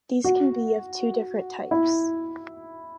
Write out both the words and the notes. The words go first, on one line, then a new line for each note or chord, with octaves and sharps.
These can be of two different types.
F#4
E4